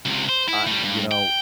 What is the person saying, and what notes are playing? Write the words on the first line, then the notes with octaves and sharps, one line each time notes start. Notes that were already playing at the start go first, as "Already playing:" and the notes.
Ah, you know,
C#2 C3
C5
E4
A2 G3
G2
G5